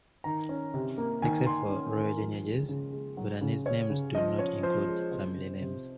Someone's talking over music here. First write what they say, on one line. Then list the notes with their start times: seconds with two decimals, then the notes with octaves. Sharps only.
Except for royal lineages, Bhutanese names do not include a family name.
0.24 D#3 A#5
0.49 C#4
0.74 C3
0.98 A#3
1.22 D#3 G#5
1.46 D#3 C6
1.71 C#4
1.95 D#3
2.20 F3
2.45 G#3
2.69 C#3
2.92 G#3
3.17 F#3
3.41 C#3
3.66 C#4 C#5
3.90 C#3
4.15 F3 D#5
4.38 C#4 C#5
4.63 F3 C5
4.87 G#3
5.11 C3 C5
5.36 C3
5.60 C3